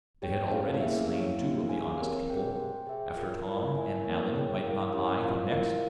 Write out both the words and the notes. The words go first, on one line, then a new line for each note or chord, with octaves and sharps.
They had already slain two of the honest people; after Tom and Alan, might not I come next?
G4 C#5 G5
C#4 G4 C#5 F5
A#3 C#4 E4 G#4 E5
E4 G4 C#5 F5
A#3 E4 G4
G#4 C5 F5 G#5
C4 G4 A#4 C#5
G#4 C5 G5
G4 C5 G5
G#4 E5 G5
F4 A#4 C#5
E4 A#4 C#5
E4 A#4 E5 G#5
A#3 E4 A#4 C#5
G#4 C#5 G5
E4 A#4 F5
C#4 E4 G4 A#4 C#5
F4 C5 F5
E4 A#4 F5